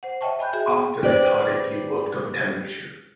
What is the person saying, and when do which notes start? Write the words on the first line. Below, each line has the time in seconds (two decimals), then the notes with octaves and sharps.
After retiring, he worked on television.
0.03 C5 F#5
0.21 C#5 D#5 E5 G5 A5 C#6
0.39 D#5 G#5 B5 F#6 G6
0.53 F#4 G#4 E5 G5
0.68 B3
1.03 C#4 G4 B4 C5 D5